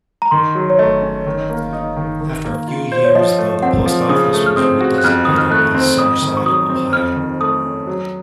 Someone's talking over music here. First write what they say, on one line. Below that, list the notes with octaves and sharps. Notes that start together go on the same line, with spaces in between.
After a few years though the post office was redesignated as Summerside, Ohio.
A#5
D#3 C6
F#3
C#5
A3 D#5
C#4
D#3
A#3
D#4
D#3
D#3
A#3
F4
C5
C#5
F3 D#5
A3
C4 F#5
F3
C#3 D#6
A3
F6
C4 D#6
F#4
F#6
F2 F6
D#3 D#6
F6
A3 F#6
C4
F2 D#6
D#3
C#6
F#3 D#6
C4
F2 F6
D#3
A3 D#6
C#4
F#3